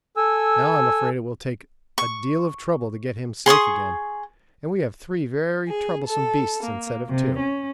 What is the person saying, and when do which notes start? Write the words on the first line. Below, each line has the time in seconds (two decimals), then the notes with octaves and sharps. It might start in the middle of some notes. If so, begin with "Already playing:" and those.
Now I'm afraid it will take a deal of trouble to get him safe again, and we have three very troublesome beasts instead of two.
0.17 A4 G#5 E6
1.98 C#6
3.46 G#4 C6 C#6 D#6
5.67 G#4
6.07 A4
6.64 A#3
7.09 C3
7.39 C#4